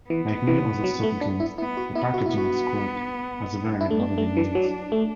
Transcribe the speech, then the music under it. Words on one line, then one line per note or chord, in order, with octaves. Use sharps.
Like many other soft drinks, the packaging of Squirt has varied over the years.
E3 B3
E3
F#3
A3
D4
E4
B3 E4
F#4
B3 E4
F#4
E4
B3
F#4
D4 E4
A3
B3
A3
E3
F#3
A3